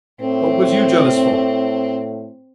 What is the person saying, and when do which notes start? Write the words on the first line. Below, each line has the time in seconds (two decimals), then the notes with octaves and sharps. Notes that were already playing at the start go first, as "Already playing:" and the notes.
What was you jealous for?
0.21 A2 C4